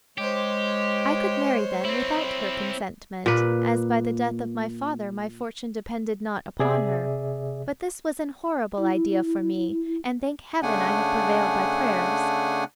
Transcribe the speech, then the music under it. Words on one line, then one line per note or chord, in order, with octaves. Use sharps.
I could marry then without her consentment, as by the death of my father my fortune depended not upon her; but this was an horrible idea for me, and thank heaven I have prevailed by prayers.
G#3 G4 C5 C#5
C4 E4
A#2 B4
C3 G#4 D5 E5
E4
C#3 A3 D4 F#5 G#5